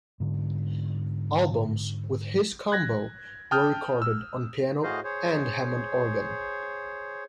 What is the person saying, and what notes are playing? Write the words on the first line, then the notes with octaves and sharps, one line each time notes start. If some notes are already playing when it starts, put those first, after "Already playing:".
Albums with his combo were recorded on piano and Hammond organ.
G#2 D3
F#6 G#6 A#6
G5 A5 D#6 F6 G6
E6
A2 F#4 G#4 C5 D#5 F5
G#4 C5 C#5